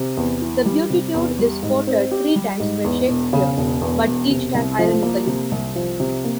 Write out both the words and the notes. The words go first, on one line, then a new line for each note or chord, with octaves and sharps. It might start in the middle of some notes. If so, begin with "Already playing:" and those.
The Beatitude is quoted three times by Shakespeare, but each time ironically.
Already playing: C3
E2
E3
G3
C3
E2
G3
G#2
C4
G4
G3
G#2
E2
E1
C#3
E1
E2
E1
C3
C2
F3
A#3
C3
C2
F3
C3
A#3